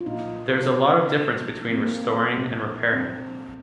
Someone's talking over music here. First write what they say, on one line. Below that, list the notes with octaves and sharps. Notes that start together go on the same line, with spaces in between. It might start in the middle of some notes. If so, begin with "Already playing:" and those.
There is a lot of difference between restoring and repairing.
F4
A#2 A#3 D#4
C4
A#3
A#2 G#3
C4